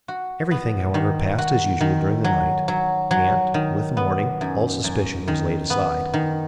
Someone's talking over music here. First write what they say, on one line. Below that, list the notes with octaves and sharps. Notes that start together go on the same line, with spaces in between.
Everything however passed as usual during the night; and, with the morning, all suspicion was laid aside.
F#4
B3
D#3
F#4
D#3
F#3
F#3
F#3
D#3
B3
F#2
F#2
D#3
B3
D#3